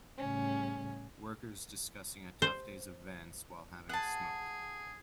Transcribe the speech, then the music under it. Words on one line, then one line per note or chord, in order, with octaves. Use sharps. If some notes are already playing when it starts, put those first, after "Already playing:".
Workers discussing a tough days events while having a smoke.
A2 C#3 G3 C#4
C5
G#4 F#5 A5